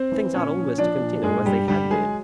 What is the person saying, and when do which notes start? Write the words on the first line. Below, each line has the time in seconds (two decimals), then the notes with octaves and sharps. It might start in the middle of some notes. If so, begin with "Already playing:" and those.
Things ought always to continue as they had been.
Already playing: C4 C5
0.12 E3
0.34 A#2 C#4 C#5
0.56 F3
0.78 F3 D4 D5
1.01 A#2
1.23 G2 G#3 G#4
1.46 G2 G3 G4
1.68 D3 G3 G4
1.90 F#3 G#3 G#4